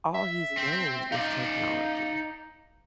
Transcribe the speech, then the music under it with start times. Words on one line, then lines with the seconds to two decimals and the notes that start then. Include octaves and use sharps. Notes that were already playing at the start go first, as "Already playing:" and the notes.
all he's known is technology,
0.15 E5
0.57 C4
1.12 D#4 D5 F5